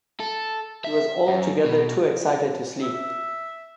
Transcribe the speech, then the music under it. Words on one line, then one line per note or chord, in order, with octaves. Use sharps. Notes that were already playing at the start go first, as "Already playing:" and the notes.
He was altogether too excited to sleep.
A4
E5
F#2
B2
E5